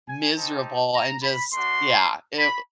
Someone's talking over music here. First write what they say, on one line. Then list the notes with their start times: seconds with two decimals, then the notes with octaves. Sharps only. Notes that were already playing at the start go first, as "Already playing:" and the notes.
miserable and just yeah, it
0.09 G#5
0.37 C4 D#4 G4 A5
0.95 A#5
1.23 B5
1.52 A3 D4 F#4 C6
2.38 B5